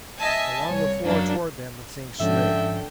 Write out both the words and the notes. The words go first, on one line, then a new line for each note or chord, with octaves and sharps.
Along the floor toward them the thing slid.
D#5 E5 G#5 A5
C2 C#5
F#2 F#3 A#3 D4
G#2 D3 F3 C#4 E5 G5